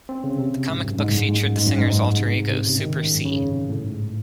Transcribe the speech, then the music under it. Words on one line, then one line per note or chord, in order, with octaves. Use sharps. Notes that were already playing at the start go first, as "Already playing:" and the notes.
The comic book featured the singer's alter ego, "Super C".
C4
C#3
C3
G#2
F#2
G#2
A2
G#2
F#2
G#2
F#2
G#2
G#2
C3
A2
C3
C#3
D#3
C#3
G#2
F#2
C#3
C3
A2
G#2